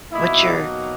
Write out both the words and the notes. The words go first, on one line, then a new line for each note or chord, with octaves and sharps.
What's your,
B2 F#3 A#3 D#4 E4